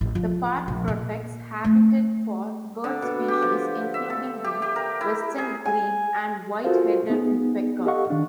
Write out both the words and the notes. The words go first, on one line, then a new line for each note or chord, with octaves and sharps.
The park protects habitat for bird species including the western grebe and white-headed woodpecker.
A1
F3
A#1
A#2
A3
D3
B2
G4
F3
E5
A4
G4
G4
A#4
E4
G#4
G#5
F4 F#4 A4 A#4 C5 F5
B3 D#4 G#4
G4 A4 D#5 F5 F#5 C#6
D#3 D4